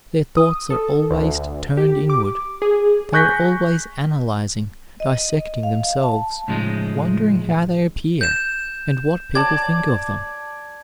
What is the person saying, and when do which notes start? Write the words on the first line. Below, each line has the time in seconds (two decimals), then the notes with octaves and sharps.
Their thoughts are always turned inward; they are always analyzing, dissecting themselves, wondering how they appear and what people think of them.
0.37 D#6
0.70 A4
1.10 D2
1.77 G4
2.10 D6
2.62 G#4
3.13 G#5 C#6 F#6 G6 A#6 B6
5.00 D#5
5.63 F5
6.03 A5
6.48 A2 C#3 F3 G#3 D4 D#4
8.21 G6 E7
9.35 D5 A5 G#6